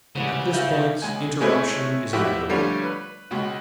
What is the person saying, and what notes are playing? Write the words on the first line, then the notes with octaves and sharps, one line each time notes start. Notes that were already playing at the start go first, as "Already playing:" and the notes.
At this point, interruption is inevitable.
G#2 C#3 E3 G3
E5 F5 G6
C#2 G#5
G#3 A3 C4 C#4 E4 G#4
B2 F3 E4 G4
D3 F3 G3 A3 C#4
B4
C#2 B2